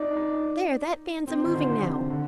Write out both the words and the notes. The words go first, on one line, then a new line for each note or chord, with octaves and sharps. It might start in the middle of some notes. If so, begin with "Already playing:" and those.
There, that van's a-moving now.
Already playing: D#4 D5
D#4
C4 C5
D#3
D3
C3
D3